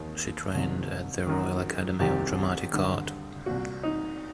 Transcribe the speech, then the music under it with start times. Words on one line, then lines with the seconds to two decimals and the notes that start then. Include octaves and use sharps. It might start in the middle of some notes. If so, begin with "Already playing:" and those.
She trained at the Royal Academy of Dramatic Art.
Already playing: D#2 D#3
0.54 C2 C3 D#3
1.27 F#2 D#3
2.00 C2 C3 D#3 G4
2.73 G2 D3
3.46 C2 A#2 F#4
3.83 D#4